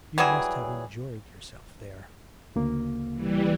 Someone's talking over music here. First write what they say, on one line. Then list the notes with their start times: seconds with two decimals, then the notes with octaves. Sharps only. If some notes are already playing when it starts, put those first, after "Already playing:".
You must have enjoyed yourself there.'
0.18 E3 F#3 G3 G#4
2.56 D2 C#3 A#3
3.15 E3 G3